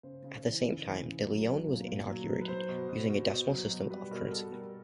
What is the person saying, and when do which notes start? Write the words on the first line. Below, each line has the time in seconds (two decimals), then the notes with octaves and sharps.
At the same time, the Leone was inaugurated, using a decimal system of currency.
0.03 C#3 C5
0.24 C#3
0.45 E3
0.65 C#3
0.85 E3
1.05 C#3
1.27 F#3
1.46 F#3
1.67 A#2
1.87 A#2
2.08 F#3
2.28 F#3
2.41 B4
2.48 F#3 C5
2.69 B2
2.89 B2
3.10 B2
3.30 B2
3.50 F#3
3.71 B2
3.90 G3 B4
4.11 B2 A#4
4.27 A#4
4.31 B2 A4
4.51 G3 A#4